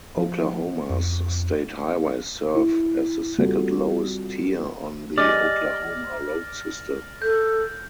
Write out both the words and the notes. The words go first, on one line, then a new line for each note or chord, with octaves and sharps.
Oklahoma's state highways serve as the second-lowest tier on the Oklahoma road system.
F3
F2
E4
G3 C4 F4 F#4 A4
G4 G#4 D5 D#5 F6 A#6
A4 G6